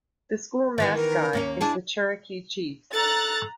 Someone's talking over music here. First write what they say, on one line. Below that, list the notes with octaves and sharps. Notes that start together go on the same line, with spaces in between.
The school mascot is the Cherokee Chiefs.
D#3 E3 B3
A#4
D#2 A#3 C#4
D4 E4 G#4 A5
A4 A#5 F#6 A6